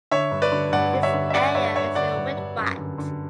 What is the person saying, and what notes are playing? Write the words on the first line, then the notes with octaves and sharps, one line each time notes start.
This area is a windwatt.
D3 C#5 E5
G2
B4 D5
D3
G2 D5 F#5
D3
C#5 E5
D3
E5
D3 D5 F#5
G2 C#5 E5
G2 C#5 E5
D3 D5 F#5
G2
G2
F#2
D3
D3